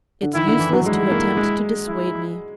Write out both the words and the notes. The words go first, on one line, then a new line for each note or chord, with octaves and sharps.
'It's useless to attempt to dissuade me.'
D3
D#3 E4
D3
E3
F#3
G#3 E4
A#3
G#3
E4